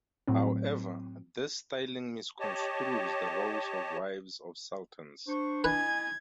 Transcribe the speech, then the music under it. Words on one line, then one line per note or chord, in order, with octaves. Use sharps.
However, this styling misconstrues the roles of wives of sultans.
A2 F#3 C4
G4 C#5 D#5 A5
D4 C5 C#6
E4 B4 D#5 G#5 G#6